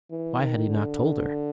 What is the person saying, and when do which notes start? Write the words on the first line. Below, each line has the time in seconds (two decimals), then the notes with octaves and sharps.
Why had he not told her?
0.11 E3
0.40 D#3
0.68 D3